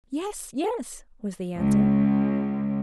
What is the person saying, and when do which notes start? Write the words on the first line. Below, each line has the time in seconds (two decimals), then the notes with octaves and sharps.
"Yes, yes," was the answer.
1.59 C#2